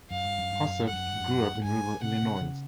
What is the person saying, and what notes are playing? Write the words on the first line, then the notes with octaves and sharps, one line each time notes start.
Hastert grew up in rural Illinois.
F#2 F5
G2
F#2
G2
F#2
G2
F#2 F#5
G2
F#2
A2
G#2 G#5
C3 F#5
C3
C#3